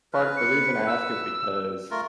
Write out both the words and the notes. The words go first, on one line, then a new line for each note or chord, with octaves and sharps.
Part the reason I ask is because
B4 F6
C#7
E6
A3 F4 A#4